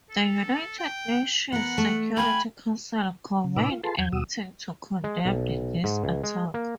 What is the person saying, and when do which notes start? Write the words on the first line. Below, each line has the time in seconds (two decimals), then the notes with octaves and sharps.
The United Nations Security Council convened a meeting to condemn this attack.
0.10 A4
0.79 G5
1.52 B3 A#4 F#5
1.78 A3
2.17 F5 G5 G#5 B5
3.44 C#3
3.56 A2 C3 D#4 B4 D6 E6
3.71 F4
3.83 F4 G#4 A4 B4 A5 C6
3.99 E2 G6 G#6
4.12 D#2 B2 F#4 D#6 E6
5.04 G#3
5.25 B1
5.84 G#2
6.04 C#2
6.24 G#3
6.54 A#3